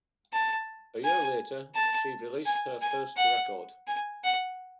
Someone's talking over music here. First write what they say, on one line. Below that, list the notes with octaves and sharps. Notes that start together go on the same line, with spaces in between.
A year later she released her first record.
A5
G#5
A5
G#5
G#5
F#5
G#5
F#5